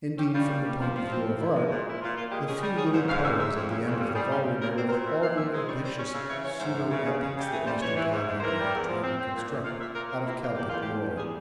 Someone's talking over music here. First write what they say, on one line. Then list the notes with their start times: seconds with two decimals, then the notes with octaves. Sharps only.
Indeed, from the point of view of art, the few little poems at the end of the volume are worth all the ambitious pseudo-epics that Mr. Todhunter has tried to construct out of Celtic lore.
0.18 C#4 G4
0.33 G3 F4
0.48 A#3
0.64 G3
0.79 F3 F4
0.95 F3
1.09 C4
1.25 F3
1.40 A#2 E4
1.56 G#3
1.71 A#2
1.86 A#2 E4
2.01 A#2 F4
2.17 A#2 F4
2.32 G#3 G4
2.47 C#4 G#4
2.62 G3 G#4
2.77 C#4 G#4
2.93 G#2 C5
3.08 G#2 F5
3.23 F2 E5
3.38 G#3 E5
3.54 F2
3.69 C#3
3.85 F2
4.00 G3
4.15 G3 G#4
4.30 C#3 F4
4.46 C4
4.61 A#2 A#4
4.76 C4 C5
4.88 A#4
4.91 A#2 C5
5.07 C4 E5
5.22 A#2 F5
5.37 C4 E5
5.52 G#3
5.68 G3 C#5
5.82 C#4 C5
5.99 C#4 C#5
6.13 C#3 E5
6.28 E3 C#5
6.44 E3 C#5
6.59 G#2 C5
6.74 E3
6.91 C#3
7.05 C#3
7.20 C#3
7.35 C#3
7.40 G4
7.51 E3 G#4
7.66 G3 C5
7.81 E3 C#5
7.97 E3
8.12 G#2
8.27 G#2
8.38 C5
8.42 E3 A#4
8.58 G3
8.74 E2
8.89 F3
9.03 C4
9.19 C4
9.34 A#2
9.50 A#2
9.64 A#2 F5
9.80 A#2 E5
9.95 A#3 A#4
10.10 A#2 A#4
10.26 A#3 E4
10.41 A#3 F4
10.56 E2 G4
10.69 E2 F4
10.82 G4
10.87 E2
11.02 E2
11.17 G3 G#4